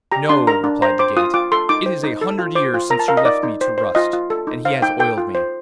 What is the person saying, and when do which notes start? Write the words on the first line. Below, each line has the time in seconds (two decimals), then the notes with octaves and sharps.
'No,' replied the gate; 'it is a hundred years since you left me to rust, and he has oiled me.
0.12 G4 A#5
0.29 D4 C6
0.47 A#4 A#5
0.64 D4
0.82 C5 A#5
0.99 C5 D6
1.17 F4 D#6
1.34 F4 D6
1.52 A4 C6
1.69 D#4 D6
1.86 C5
2.03 D#4
2.21 A4
2.39 F4
2.55 C5 D6
2.74 F4
2.90 A#4 A#5
2.99 A5
3.08 A#4 F5
3.17 D#5
3.25 D#4 D5
3.43 D#4
3.61 C5
3.78 C5
3.95 F4 D#5
4.13 F4
4.30 A4
4.47 D#4
4.65 C5 F5
4.82 D#4 G5
4.99 A4 G5
5.18 F4
5.35 C5